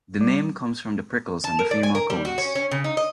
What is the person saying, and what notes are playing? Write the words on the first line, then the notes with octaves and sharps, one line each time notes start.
The name comes from the prickles on the female cones.
G3
A5
A#4
D5
G#5
A#4
G3
F#4
C#4
C#4
C#3
D#4
D#5